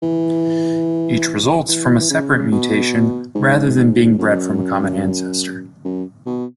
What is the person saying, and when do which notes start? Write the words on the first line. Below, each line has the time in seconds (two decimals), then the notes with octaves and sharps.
Each results from a separate mutation rather than being bred from a common ancestor.
0.02 E3
1.69 E3
2.00 E3
2.10 C#3
2.52 B2
3.35 G#2
3.77 G#2
4.18 F#2
5.85 F#2
6.26 B2